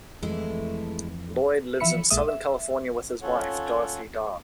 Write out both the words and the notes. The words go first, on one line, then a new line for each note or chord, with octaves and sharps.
Lloyd lives in Southern California with his wife, Dorothy Darr.
F2 E3 G#3 A3 E4
E3 F3 E5 B5 C#7
A#1 A#2 G#3 E5 D#6
E5
C#4 F4 A4 C#5 F#5